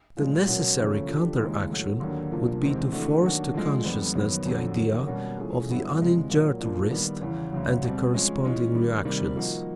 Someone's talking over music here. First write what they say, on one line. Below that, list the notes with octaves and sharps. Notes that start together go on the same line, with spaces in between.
The necessary counter action would be to force to consciousness the idea of the uninjured wrist and the corresponding reactions.
A#2 F3 G#3
B2 F#3 A#3 C#4 F#4
D#2 C#3 F3 A3 C#4
F3 A3 D4 G4
D#2 C#3 E3 G#3
A2 F#3 A3
D#2 D3 F#3 A#3 D4
C2 A#2 F3 A#3 D4
E2 C3 D#3 G#3 C4
E3 A3 D4 F#4
D#3 F#3 A#3 D4 F#4
D3 F3 G#3
F2 D3 G3 B3
F#2 D#3 F#3 B3
F2 D3 F#3
D#3 F#3 A#3
B2 G3 A#3 C#4 F#4
E3 A3 C#4 F4 G#4
G2 D3 F#3 B3 E4
C#2 C3 E3 G#3
A#2 F#3 A#3
A#2 F3 A#3 D4
D#3 G3 B3
E2 C#3 E3
D2 C#3 F#3
B2 G3 C4
F3 G#3 C#4
E3 G#3 C#4 F4
D#3 G3 A#3
C3 D#3 G3 A#3
F3 A#3 D#4 F#4